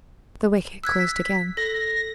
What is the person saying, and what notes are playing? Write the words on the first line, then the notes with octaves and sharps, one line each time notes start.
The wicket closed again.
E6 F#6 G#6 B6
A4 A#6